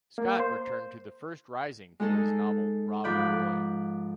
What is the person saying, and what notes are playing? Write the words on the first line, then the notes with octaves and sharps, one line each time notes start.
Scott returned to the first rising for his novel "Rob Roy".
A#3
C5
G#3 D#4 G#4 A4
G#2 F3 B5 D6 F#6 G6